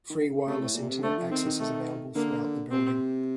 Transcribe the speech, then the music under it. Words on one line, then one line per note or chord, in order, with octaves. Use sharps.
Free wireless Internet access is available throughout the building.
D#3
C3 A3
A2
A#2
C3
D3 A3
F3
D#3 C4
D#3
A3
D3 A#3
C3 C4